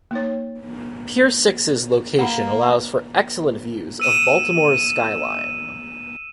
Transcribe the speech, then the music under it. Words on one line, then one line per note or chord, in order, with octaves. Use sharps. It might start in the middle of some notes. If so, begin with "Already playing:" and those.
Pier Six's location allows for excellent views of Baltimore's skyline.
A#3 D#4 C#5
A#3 F#5 B5
E6 D#7 E7